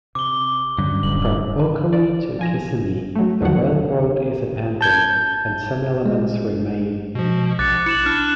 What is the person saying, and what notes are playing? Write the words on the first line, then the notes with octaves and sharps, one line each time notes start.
From Ocoee to Kissimmee, the railroad is abandoned, and some elements remain.
C3 D6 G7
G2 D3 F#3 C#4
D#1 F#7
D5
F3 G#5 A#6
F#3 A3
D#2 D3 D#3 F3 F#3 F#5
A5 G6 G#6
G#3
B2 F3
A#1 D6 F#6 A6 C#7
E4 C#7 E7 F#7
D4 F6 F#6